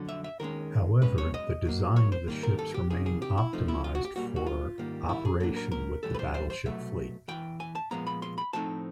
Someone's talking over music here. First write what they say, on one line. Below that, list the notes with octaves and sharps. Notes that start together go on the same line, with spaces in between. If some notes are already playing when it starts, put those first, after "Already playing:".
However, the design of the ships remained optimized for operation with the battleship fleet.
Already playing: F2 D3 F#3
E5
E5
D#2 D#3 G#3 C#4 A#4
B1 B2 G#3 C#4 B4
C#5
D#5
A2 F#3 A#3
C#5
C5
G#2 D#3 G3 A#3
A#4
A4
G4
C2 C3 D#3 G#4
G#4
G4
E4
C3 F3 A3 D#4
E4
F4
F#4
G4
B1 A#2 G3 A#3 F#4
F#4
F4
G#2 D#3 G3 A#3
E4
G#4
A2 F#3 A#3 D4 A4
A#4
A#4
A2 E3 G3 A4
B4
C5
C5
C5
C2 B2 F#3 A3 E5
E2 C3 E3 G5
G#5
A5
A#2 F3 G#3 B3 A#5
B5
C6
B5
A2 F3 A3 C4 D#4 A5